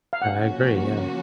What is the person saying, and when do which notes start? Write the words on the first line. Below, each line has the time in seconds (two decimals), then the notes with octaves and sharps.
Yeah, I agree, yeah.
0.13 F5
0.22 C#3 F3 A#3 C#4 F#4 F#5